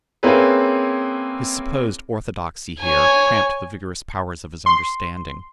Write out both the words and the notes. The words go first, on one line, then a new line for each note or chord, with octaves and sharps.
His supposed orthodoxy here cramped the vigorous powers of his understanding.
A#3 C4 C#4 E4 G#4 B4
C#5 G#5
C6